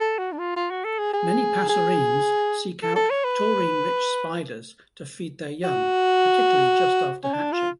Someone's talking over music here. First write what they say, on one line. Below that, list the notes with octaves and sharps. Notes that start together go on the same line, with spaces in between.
Many passerines seek out taurine-rich spiders to feed their young, particularly just after hatching.
A4
F#4
D4
F4
F4
F#4
A4
G#4
G#4
G#4
A4
A4
C#5
B4
F#4
C#4
D4
F4